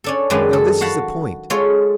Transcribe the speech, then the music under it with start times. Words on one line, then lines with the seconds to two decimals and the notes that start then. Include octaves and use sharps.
Now this is the point.
0.04 C#4 D4 A4
0.30 F#2 D#3 G#3 D4 B4 F5
0.53 A4
0.81 F#4 F5 F#5 A5 B5
1.50 G#3 F4 A4 C#5